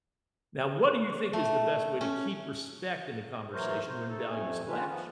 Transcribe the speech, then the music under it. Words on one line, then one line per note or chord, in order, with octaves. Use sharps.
Now, what do you think is the best way to keep respect in a conversation when values clash?
A3
C#4
E3 F#3 A3 A#4 C5 C#5
C5
A3 D#4 A4
F2 C3 A3 G#5
D#3 G#3 C#4 D4 F4 B4
F3 B3